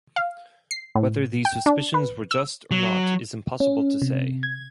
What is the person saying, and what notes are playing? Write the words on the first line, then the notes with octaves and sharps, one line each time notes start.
Whether these suspicions were just or not is impossible to say.
F5
C7
A2
G5
D4
B4
E6
F#3
C#4
C3
G#6